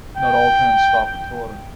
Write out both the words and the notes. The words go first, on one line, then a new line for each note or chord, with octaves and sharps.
Not all trains stop at Torre.
G5